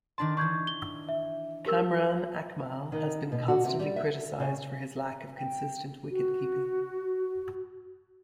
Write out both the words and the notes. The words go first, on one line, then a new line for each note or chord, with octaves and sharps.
Kamran Akmal has been constantly criticized for his lack of consistent wicket-keeping.
D#3 D4 A5 C6
E3 D4 C#6 G6 G#6
G7
E5
G4 A#4 E6
D#3
B2
F#4
C3
G3
E5
C#3
G5
F#4